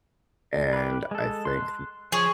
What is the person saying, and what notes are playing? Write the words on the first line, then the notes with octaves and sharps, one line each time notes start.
And, I think
G4 B4
G#3 A4
C6 F#6
F3 G#4 C#5